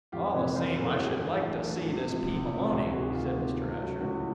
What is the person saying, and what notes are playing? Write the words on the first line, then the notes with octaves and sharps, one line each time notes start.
"All the same, I should like to see this P. Maloney," said Mr. Asher.
F2 F4 G4
C3 E3 B4 C#5
F2 A#4 C5
C3 E3 A4 B4
G2 F#4 G#4
E3 A3 D4
G2
E3 A3 D4
C#2
C3 F3
C#2
F3
C3
D2 F4 G4
C3 D#3 F#4 G#4
D2 F4 G4
C3 D#3
C#2
C#3 F#3 A3
C#2 E4 F#4